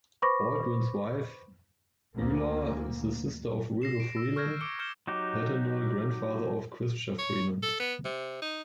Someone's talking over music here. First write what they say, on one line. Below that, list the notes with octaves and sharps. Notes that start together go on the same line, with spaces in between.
Baldwin's wife Beulah is the sister of Wilbur Freeland, paternal grandfather of Chrystia Freeland.
B4 C5 B5 C#6 D6 A#6
D2 A#3
A#6 C7 E7
D7
E6
C#6 F6 G6 G#6 A#6
D6 F6 C#7 D7 G7
C#6 F6 G6 C#7 E7 G7
F#3 D#4 G4
C#5
A4
B3
C3
D#4